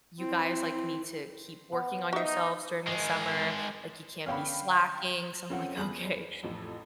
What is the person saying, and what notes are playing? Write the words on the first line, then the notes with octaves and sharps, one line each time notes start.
you guys, like, need to keep working on yourselves during the summer, like, you can't be slacking." So I'm, like, "Okay."
C4 E4
B3
D#4 F#4 E5
D#3 G#3
D3 B3 C#4 F5 G5 B5
F2 C4 C#4 F4 F#5
E2 G#4 B5 F#7
A1 F2